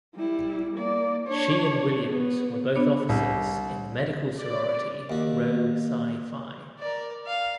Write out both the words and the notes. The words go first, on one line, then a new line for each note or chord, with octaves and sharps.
She and Williams were both officers in the medical sorority Rho Psi Phi.
G3 E4
A#3 D5
D4 C#5
B3
B3 D4 C#5
C2
D5
D#2 F#4
A#4 D5
F5